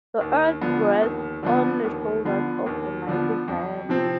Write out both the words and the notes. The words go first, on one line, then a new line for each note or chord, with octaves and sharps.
The earth rests on the shoulders of a mighty giant.
D#2
D3 F3 B3
D#2
D3 F3 B3
D#2
D3 F3 B3
D#2
D3 F3 B3
F2
C3 F3 C4